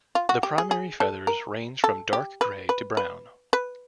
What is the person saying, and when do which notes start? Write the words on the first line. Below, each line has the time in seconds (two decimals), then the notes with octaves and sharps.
The primary feathers range from dark grey to brown.
0.15 F4
0.29 F#4
0.43 G4
0.58 G#4
0.71 G#4
1.00 A4
1.27 A#4
1.84 A4
2.13 G4
2.41 B4
2.69 B4
2.97 B4
3.53 B4